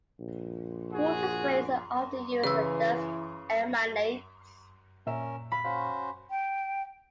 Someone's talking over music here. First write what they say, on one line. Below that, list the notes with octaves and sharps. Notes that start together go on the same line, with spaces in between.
Water spray is often used where dust emanates.
A#1
F#4 G#4
C#3 E3 B4 E6
A#2 C#4 A#4 E5 E7
F5 B5
C#4 F#4 C5 F5
G5